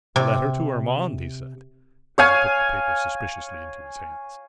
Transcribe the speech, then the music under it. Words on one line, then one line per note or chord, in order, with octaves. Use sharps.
'A letter to Urmand,' he said, as he took the paper suspiciously into his hands.
C3
C#5 F5 G#5